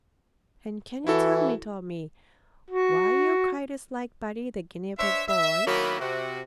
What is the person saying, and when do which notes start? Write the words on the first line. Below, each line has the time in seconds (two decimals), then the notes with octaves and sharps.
"And can you tell me, Tommie, why your kite is like Buddy, the guinea pig boy?"
1.07 E3 E4 F#4 A4
2.70 F#4
4.99 D4 C5 C#5 E5
5.28 E5
5.66 D#3 F#3 A#3 B3 E4 B5
6.00 C3 F#4